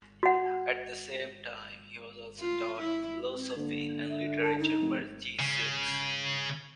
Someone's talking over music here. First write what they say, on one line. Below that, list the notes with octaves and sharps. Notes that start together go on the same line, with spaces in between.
At the same time he was also taught philosophy and literature by Jesuits.
F#4 F#5
F4
E4
C4
D3 A#3
E5
A5
D#4
F1
C#3